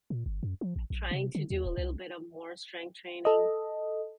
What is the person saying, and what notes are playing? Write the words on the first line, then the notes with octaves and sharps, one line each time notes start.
trying to do a little bit of more strength training
A#2
G1
F#2
F3
A1
A#1
C3
D3
D#2
D1
C2
A4 D#5